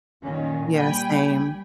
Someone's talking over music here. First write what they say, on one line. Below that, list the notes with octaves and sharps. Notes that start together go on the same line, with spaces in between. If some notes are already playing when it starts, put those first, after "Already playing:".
Yeah, same.
A#2 D#3 C#4
G3 A#3 G5 G#5 B5